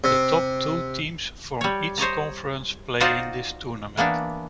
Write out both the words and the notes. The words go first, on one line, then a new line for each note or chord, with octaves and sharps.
The top two teams from each Conference play in this tournament.
C3
G3 C#5
C5 C#5 D#5 A#5
D#4 F4 F#4 C5 D5 D#5
E3 A#3 B3 D4